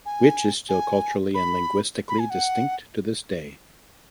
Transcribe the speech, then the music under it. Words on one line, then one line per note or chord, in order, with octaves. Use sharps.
Which is still culturally and linguistically distinct to this day.
G#5
G#5
B5
B5
G#5
F#5